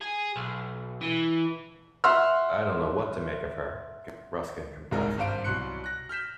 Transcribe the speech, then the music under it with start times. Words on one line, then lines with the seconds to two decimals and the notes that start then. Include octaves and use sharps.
'I don't know what to make of her', Ruskin confessed.
0.01 G#4
0.36 B1
1.01 E3
2.04 E5 F#5 C6 E6 F6
4.91 F#1 C2 G#2 G#3 A#4 A#5
5.17 G#1 G2 C5 F5 D7
5.44 C2 B2 F#3 C6 F#6 C#7
5.84 F#6 A#6
6.09 F6 G6 B6 E7